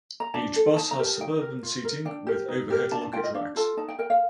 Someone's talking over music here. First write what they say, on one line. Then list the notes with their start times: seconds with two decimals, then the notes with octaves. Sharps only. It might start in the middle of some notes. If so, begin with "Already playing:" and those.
Each bus has suburban seating with overhead luggage racks.
0.20 A#5
0.34 D4 A5
0.56 A4
0.77 D#4 A5
0.91 A#5
0.99 G4 A#4
1.05 A5
1.19 D#4 G5
1.41 A#4
1.63 F4
1.85 A#4
2.05 D4 G5
2.27 G4 A#4
2.48 D#4
2.70 G4 A#4
2.91 D4 A5
3.02 A5
3.13 F4 G5
3.17 A#4
3.23 D#5
3.34 D4 F5
3.56 F4 A4 A5
3.77 D#4 A5
3.88 G5
3.99 A#4 G5
4.10 F5